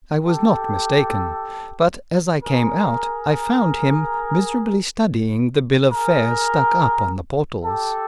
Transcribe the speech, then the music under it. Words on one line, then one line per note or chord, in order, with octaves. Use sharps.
I was not mistaken, but as I came out I found him miserably studying the bill of fare stuck up on the portals.
G4 A4
G#4 A#4
G#4 A#4
G4 A4